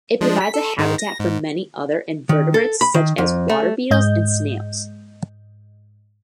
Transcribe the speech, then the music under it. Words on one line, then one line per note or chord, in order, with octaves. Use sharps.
It provides a habitat for many other invertebrates such as water beetles and snails.
F3 G#3 D4
B6
A4
G#2 D#3 G#3
A#6
G#2
D#3
A4
B5
D#3
F2
A3
G#2 G#3 D#5 G6